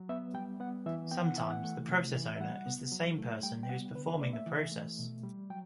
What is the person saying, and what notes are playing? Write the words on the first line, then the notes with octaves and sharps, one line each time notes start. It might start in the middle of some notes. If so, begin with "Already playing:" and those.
Sometimes the process owner is the same person who is performing the process.
Already playing: F#3
B3 E5
G3 G5
B3 F#5
E3 E5
B3 G5
F#5
E3 E5
F#5
A3
C3
E3
E5
G3 F#5
B3
F#3
A3
G3 G5
G5
B3 F#5
D3 B4
B4
A3 D5
E5
E3
A3
B2
G3
F#3 G5